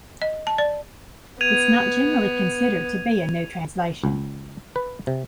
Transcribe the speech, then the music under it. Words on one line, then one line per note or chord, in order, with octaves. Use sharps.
It is not generally considered to be a new translation.
D#5
A5
D5
B3 G#6 D#7 F7
C#2
B4
C3